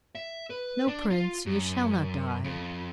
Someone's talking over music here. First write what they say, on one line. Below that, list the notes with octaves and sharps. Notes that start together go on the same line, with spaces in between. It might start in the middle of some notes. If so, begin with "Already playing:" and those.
'No, Prince, you shall not die.
E5
B4
D4
F4
F#2
F2